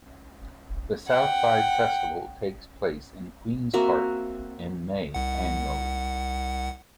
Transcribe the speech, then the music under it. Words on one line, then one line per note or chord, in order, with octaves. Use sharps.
The Southside Festival takes place in Queens Park in May annually.
F#5 G5
A#3 C4 F#4 E5
C2 F#5